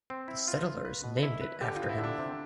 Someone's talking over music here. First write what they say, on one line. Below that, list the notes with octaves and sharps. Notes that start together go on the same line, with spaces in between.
The settlers named it after him.
C4
E4
F4
F4
B4
B2
E4
B4
D3 G4
B3 F4
E4
D3
D4
C3